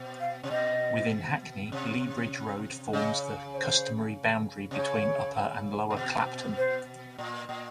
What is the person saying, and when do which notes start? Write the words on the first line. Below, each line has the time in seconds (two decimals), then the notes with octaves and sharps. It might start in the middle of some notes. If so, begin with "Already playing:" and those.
Within Hackney, Lea Bridge Road forms the customary boundary between Upper and Lower Clapton.
Already playing: B2
0.20 F5
0.43 C3
0.50 B2 D#5
1.72 C3
2.93 C#3 D#5
3.54 C#5
3.58 C5
4.71 C3
4.75 C#3 C#5
5.90 A#2
5.96 B2
6.58 C5
7.18 A#2
7.49 A#2